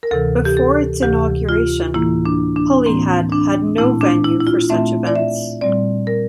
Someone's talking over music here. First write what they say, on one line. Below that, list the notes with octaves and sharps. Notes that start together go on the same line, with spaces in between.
Before its inauguration, Holyhead had no venue for such events.
A#4
D2 C3 E3 A4
G4
A4
D2 C3 E3 G4
F4
A2 E3 A#3 E4
D4
D4
A2 E3 A#3 C4
D4
A#2 A3 C4 E4
D4
E4
E4
F4
A#2 A3 C4 E5
D5
E5
A#2 G3 C4 D5
A#4